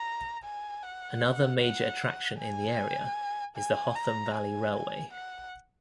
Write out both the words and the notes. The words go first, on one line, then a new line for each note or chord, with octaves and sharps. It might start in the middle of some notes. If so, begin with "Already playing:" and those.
Another major attraction in the area is the Hotham Valley Railway.
Already playing: A#5
G#5
F#5
F#5
G#5
G#5
A#5
G#5
F#5